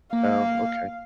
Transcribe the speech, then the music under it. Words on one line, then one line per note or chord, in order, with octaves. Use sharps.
Oh, okay.
A#3 F5